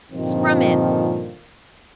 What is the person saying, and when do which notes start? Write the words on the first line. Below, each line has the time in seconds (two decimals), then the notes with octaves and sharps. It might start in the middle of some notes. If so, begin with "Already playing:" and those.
Scrum in.
0.13 G2 A#2 D3 D#3 F3 C4